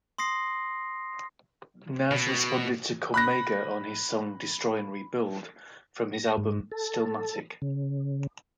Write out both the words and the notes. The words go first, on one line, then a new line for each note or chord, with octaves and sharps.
Nas responded to Cormega on his song "Destroy and Rebuild" from his album "Stillmatic".
C6 D#6 A#6 C7
B2
B5 F#6 A#6
A#6
G#2
A4
C#3